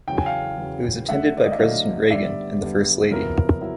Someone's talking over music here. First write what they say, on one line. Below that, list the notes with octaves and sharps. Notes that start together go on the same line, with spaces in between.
It was attended by President Reagan and the First Lady.
E2 C#3 F#3 G5
G#5
F5 G5
E2 C#3 F#3
D3 F#3 A3 E5 F#5
D5
D#5
E5
D3 F#3 A3 D#5 F5
G2 D3 G3 B3 D5 E5
G2 D3 G3 B3
F2 C#3 F#3 B3 E4 A#4
F#3 E4